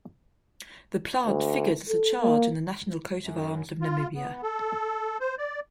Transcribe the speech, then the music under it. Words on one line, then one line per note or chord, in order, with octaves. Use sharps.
The plant figures as a charge in the national coat of arms of Namibia.
D2
A4
A#3
F#2
F4
B3
A4
C5
D5